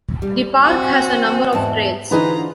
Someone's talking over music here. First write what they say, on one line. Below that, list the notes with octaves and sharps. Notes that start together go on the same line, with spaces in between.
The park has a number of trails.
G3
C4 F#4 G#5
E2 G#2 A5
D3 E3 D#4 F4 G#4 B4 C5 A#5